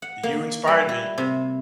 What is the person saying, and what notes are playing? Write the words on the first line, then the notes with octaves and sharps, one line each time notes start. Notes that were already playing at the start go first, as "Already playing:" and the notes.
You inspired me.
F#5
A#3
G3
E4
C3